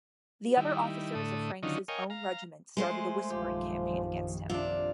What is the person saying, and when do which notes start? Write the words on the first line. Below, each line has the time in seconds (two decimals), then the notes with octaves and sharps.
The other officers of Franks's own regiment started a whispering campaign against him.
0.57 D#3 G3 E4
1.15 A2 D3 A3 D#6
1.63 D3 D#3 F#3 C#4 D#4 F4
1.88 A#4 C#5 D#5 F5 G5 G#5
2.10 F5 A#5
2.77 G#3 A3 C5
3.30 A#1 F#2 D#3 F3 G4
4.50 C3 D4 F4